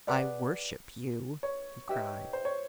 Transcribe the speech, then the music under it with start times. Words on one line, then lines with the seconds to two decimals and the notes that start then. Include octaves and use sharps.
"I worship you," he cried.
0.07 G#4 B4 D5 F#5
1.43 C#5
1.89 D#4 G4 B4 E5
2.33 C5
2.45 C#5